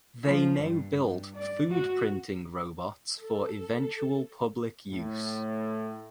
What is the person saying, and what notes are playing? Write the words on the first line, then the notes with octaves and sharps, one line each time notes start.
They now build food printing robots for eventual public use.
F3
G2
G2
D5
F#4
A4
A2